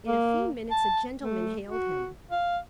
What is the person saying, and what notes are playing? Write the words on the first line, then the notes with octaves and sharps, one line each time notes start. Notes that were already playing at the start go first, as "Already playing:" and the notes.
In a few minutes a gentleman hailed him.
A#3
A5
A3
F#4
F5